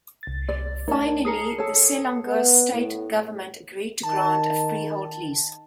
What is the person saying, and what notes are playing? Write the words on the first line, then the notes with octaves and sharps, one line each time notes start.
Finally, the Selangor state government agreed to grant a freehold lease.
C2 A6
D5
A3 D#4 A#4 C#5 A5
G#4 A#4 D#6 C7 C#7
A4 C#5
B3
A2
D#3 A5